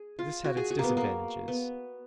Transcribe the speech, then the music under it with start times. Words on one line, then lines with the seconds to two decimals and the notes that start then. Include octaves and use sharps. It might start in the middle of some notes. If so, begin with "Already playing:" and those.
This had its disadvantages.
Already playing: G#4
0.19 F4
0.44 F#4
0.57 G#4
0.71 F#4
0.79 A#3 B3
0.97 A#3
1.48 B3